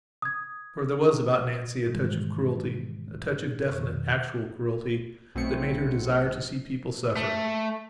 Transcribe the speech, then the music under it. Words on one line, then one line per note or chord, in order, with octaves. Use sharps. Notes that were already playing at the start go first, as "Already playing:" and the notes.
For there was about Nancy a touch of cruelty--a touch of definite actual cruelty that made her desire to see people suffer.
D#6 G#6
G#2 B2 D#3 E3 G3 G#3
F2 B2 D#3 C#6
B1 B2 A3 C4 C#7
A3